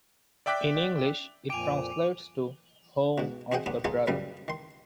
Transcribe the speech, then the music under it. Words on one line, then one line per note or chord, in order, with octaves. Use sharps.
In English, it translates to "Home of the Brother".
D5 E5 G5 D6 F#6 B6
F2 A#2 G5 G#5 D6 D#7 F7
G#2 B2
C4 F#4 G#4 D#5 F#5 G5
D#2 B3 D4 D6
B3 D#4 F4 G#4 A4 C#5
A#1 F#2 A#2 C#3 G3 D#5
D#3 C6